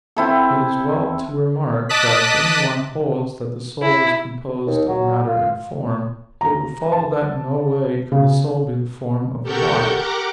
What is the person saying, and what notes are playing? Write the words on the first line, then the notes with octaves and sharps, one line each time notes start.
It is well to remark that if anyone holds that the soul is composed of matter and form, it would follow that in no way could the soul be the form of the body.
C4 E4 A4
D#5 A5 D6 D#6 F#6 B6
E4
D#2
F#3
F4
A#5
A5
C#3
G4 A4 A#4 F#5 C#6 G6
G4 A#4 F#5 A#5 D6